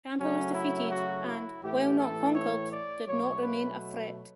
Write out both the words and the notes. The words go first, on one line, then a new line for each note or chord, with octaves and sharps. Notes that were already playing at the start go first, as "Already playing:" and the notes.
Champa was defeated and, while not conquered, did not remain a threat.
C#3 F#3 A3 C#4
E4
F#4
E4
A2 E3 A3 G4
A4
C#5
D5
B2 F#3 A3 C#5
B4